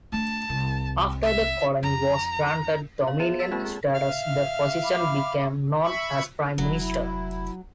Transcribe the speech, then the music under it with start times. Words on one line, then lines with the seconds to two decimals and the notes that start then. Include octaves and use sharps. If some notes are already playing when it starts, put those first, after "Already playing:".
After the colony was granted dominion status, the position became known as Prime Minister.
0.12 A3 D4 A5
0.49 C2
1.23 E5
1.83 F2 A#5
3.08 F5
3.20 B3 G#4 E5 E7
3.38 E6 A6 B6 E7
3.51 G#3 A#3 C4 F4 G4
3.65 G#4
3.94 E5 F5 F6
4.83 B5 D6
5.82 E5 B5 C#6
6.58 F1 F#3 E4